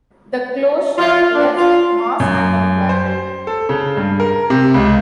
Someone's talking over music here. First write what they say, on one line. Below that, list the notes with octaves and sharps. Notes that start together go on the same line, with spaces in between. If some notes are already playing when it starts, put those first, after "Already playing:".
The closure left mass unemployment.
F4
D4
F4
F#2
C5
A4
C#3
G2
A#4
C3
C#2